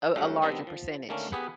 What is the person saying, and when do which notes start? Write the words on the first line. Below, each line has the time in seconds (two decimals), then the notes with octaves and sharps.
a a larger percentage.
0.16 G2 F#3 A3 C#4 F5 G5
0.42 D#3 G3 B3 C4 D4
0.67 F3
1.09 D3 D#3 A3 A#3 C#4 D4
1.32 B3 G4 G#4 B4 F#5